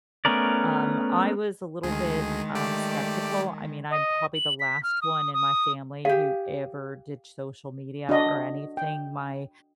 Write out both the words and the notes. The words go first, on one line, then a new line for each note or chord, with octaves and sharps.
Um, I was a little bit, um, skeptical, I mean I'm probably the last one in my family who ever did social media or anything, my
A3 B3 C#4 A#4 D5
D2 D#3 G#3 G#4
A3 G4 D5
D#5
F#7
B6
F6
D#6
D#6
G4 G#4 F5
D4 F#4 D#5
G5